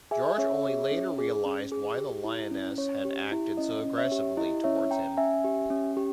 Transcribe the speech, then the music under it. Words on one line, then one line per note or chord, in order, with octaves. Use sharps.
George only later realised why the lioness had acted so aggressively towards him.
G#4 E5 G#5
C#4 C#5 E5
G#4
C#4
G#4
C#4
G#4
G4
E4
C#4
C#4 C#5
G4
E4
C#4 D#5
C#4
C#5 E5
G4
E4 D#5
C#4 C#5 E5
C#4 G5 A#5
C#4 E5 G#5
G4
C#4
G4